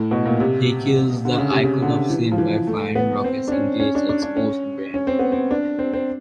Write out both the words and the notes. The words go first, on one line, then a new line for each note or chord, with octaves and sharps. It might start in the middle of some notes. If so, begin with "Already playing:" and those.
He kills the Icon of Sin by firing rockets into its exposed brain.
Already playing: A2
B2
A#2
C3
D3
C#3
C3
C#3
D3
E3
F3
E3
A3
B3
C4
D4
C#4
C#4
D4
D4
D4
C#4
C#4
C4
B3
C4
D4
C4
C4